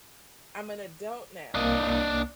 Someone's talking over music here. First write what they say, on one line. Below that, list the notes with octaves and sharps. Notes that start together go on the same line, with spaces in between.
I'm an adult now
C2 A#3 D4 D#5